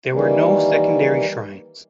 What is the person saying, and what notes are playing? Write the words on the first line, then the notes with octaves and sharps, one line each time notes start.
There were no secondary shrines.
D#3 E3 G3 A#3